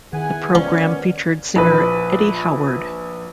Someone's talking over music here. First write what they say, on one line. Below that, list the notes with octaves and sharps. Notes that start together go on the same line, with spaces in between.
The program featured singer Eddy Howard.
D#3 B3 E4 G#4 B4 F#5 G#5
F3 B3 C#4 A#4 D5
A#1 B4